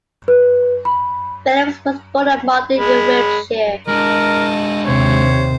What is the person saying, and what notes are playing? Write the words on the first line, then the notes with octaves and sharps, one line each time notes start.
Philips was born at Marden in Wiltshire.
B4
B5
G#3 B5
G#3 D4 A#4 D#5 A5
D#2 C3 C5 C#5